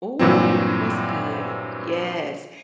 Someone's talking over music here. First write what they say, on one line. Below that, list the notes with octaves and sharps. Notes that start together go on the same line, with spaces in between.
Ooh, that's good, yes.
G2 A#2 E3 F#3 C4